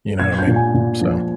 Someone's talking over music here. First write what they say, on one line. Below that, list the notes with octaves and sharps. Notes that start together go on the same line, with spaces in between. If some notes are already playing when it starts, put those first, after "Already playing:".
You know what I mean? So
A#2 G#6
G6
A#2
G#5
A#2
F3